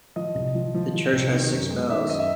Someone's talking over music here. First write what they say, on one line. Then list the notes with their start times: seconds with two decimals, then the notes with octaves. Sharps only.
The church has six bells.
0.16 F3 D#5
0.35 C2
0.55 F3
0.75 F3
0.94 F3
1.13 C2
1.32 D#3
1.52 F#2
1.71 G#3
1.90 D#3 E5
2.09 F#2 D#5
2.19 E5